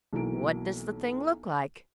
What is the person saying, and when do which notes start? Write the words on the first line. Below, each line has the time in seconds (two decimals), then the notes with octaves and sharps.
"What does the thing look like?"
0.13 B1 E3 F#3 A#3 D7